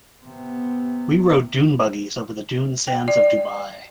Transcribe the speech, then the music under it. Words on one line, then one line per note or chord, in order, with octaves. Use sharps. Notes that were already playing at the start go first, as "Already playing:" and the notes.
We rode dune buggies over the dune sands of Dubai.
C3 B3
G5
D5